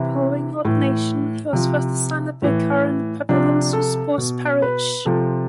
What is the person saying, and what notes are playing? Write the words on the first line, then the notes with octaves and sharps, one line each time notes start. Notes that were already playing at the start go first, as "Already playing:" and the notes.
Following ordination, he was first assigned as a vicar in the Pavillons-sous-Bois parish.
Already playing: C3 E3 E4
A2 E3
C3 F3
A2 E3
C3 F3 D4
A4
B2
B4
C3 F3 A4